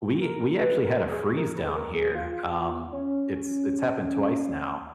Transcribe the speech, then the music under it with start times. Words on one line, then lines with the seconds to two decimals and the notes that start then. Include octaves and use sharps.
we we actually had a freeze down here. Um, it's it's happened twice now,
0.20 A#4
0.59 B4
0.85 A#4
1.11 G#4
1.37 A#4
1.57 B4
1.69 G#4
1.76 A#4
1.95 G#4
2.15 F4
2.92 C#4